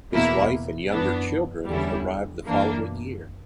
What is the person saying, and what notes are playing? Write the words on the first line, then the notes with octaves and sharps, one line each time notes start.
His wife and younger children arrived the following year.
E2 B2 A#3 E4
F#2 E3 B3 D4
E2 D3 G3 C#4 E4
F#2 E3 A#3 D4